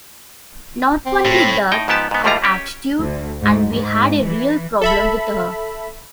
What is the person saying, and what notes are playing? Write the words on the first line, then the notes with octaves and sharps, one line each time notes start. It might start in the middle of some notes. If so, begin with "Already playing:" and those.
Not only that, her attitude, and we had a real problem with her.
C4
A2
A2 D#4 G5
G#2 F3 B3 G4 A5
G#2 B3
D#2 A2 G3 E4 F4 A#5
C#4 G4
D2
G#2
G#2
E3
A4 E5 B5